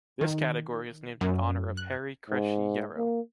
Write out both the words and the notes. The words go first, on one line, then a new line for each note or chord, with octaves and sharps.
This category is named in honour of Harry Crécy Yarrow.
D#3
F#2
F#6
G#2
A#3